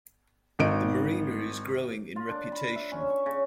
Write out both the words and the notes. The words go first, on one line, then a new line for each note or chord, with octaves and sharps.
The marina is growing in reputation.
G#1 D#4 D7
F4
D4
B5
E5
C#4
C#6
C#3